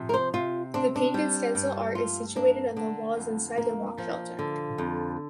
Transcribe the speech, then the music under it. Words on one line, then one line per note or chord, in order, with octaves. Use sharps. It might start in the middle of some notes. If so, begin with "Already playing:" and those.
The painted stencil art is situated on the walls inside the rock shelter.
Already playing: C3 F3
A#4
C5
C3 F4
C4 D4
D4
G3
G2
G2 F4
A#3 D4
D3 D4
F2
A#3
F3
D3
F2